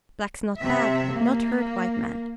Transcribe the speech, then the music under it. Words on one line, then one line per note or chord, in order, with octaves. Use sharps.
Blacks not bad, not hurt white man.
C3 E5
A#3